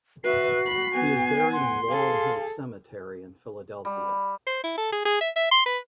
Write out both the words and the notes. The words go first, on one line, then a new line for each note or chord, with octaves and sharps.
He is buried in Laurel Hill Cemetery in Philadelphia.
F#4 B4 E5 C7
B5
B3 G#5
F#5 C6
G#4 A4 F5
G3
C5
E4
A4
G#4
G#4
E5
E5
C6
B4